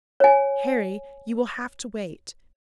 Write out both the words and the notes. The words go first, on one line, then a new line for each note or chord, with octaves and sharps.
Harry, you will have to wait.
C#5 G#5